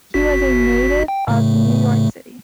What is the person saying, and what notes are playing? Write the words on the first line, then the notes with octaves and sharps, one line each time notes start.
He was a native of New York City.
G1 F#4 B6
G5
A2 C#3 A3